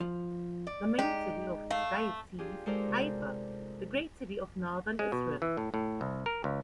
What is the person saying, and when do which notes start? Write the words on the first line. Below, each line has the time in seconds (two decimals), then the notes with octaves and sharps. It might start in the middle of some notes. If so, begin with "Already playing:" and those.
The main city of his diocese is Haifa, the great city of northern Israel.
0.01 F3
0.67 D5
0.99 G#3 D#4 G4
1.71 A3 F5
2.39 D4 F4 G4 G#4
2.66 G#3 D#4 A4 A#4 C5 D5
2.88 C3
4.99 G#3
5.12 B2
5.42 E3
5.57 A2
5.74 A2
6.01 C2
6.26 A#4
6.44 C#2